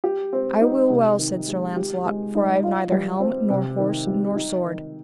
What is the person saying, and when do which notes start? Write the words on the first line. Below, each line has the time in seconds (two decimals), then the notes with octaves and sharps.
I will well, said Sir Launcelot, for I have neither helm, nor horse, nor sword.
0.04 G4
0.33 C4
0.61 D#4
0.90 C3
1.18 D#3
1.47 G#3
1.77 G4
2.06 G#3
2.35 D#4
2.63 F4
2.92 G3
3.20 C4
3.50 C3
3.79 D#3
4.07 G3
4.36 D#4
4.65 D#3